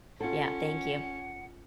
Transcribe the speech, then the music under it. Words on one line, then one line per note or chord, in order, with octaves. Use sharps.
Yeah, thank you.
C#4 F4 A4 F#5